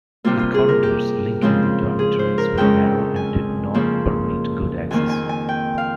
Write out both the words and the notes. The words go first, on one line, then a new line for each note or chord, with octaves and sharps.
The corridors linking the dormitories were narrow and did not permit good access.
C3 G3 A#3 F4
F4
G#4
A#4
G4
C#3 F3 G#3 C4
G#4
C5
A#4
F2 C#3 G#3 C#4 G5
G#5
C#3 F3 A#3 C#4
F2 D#3 A#3 G#5
G#5
G#5
G5
F5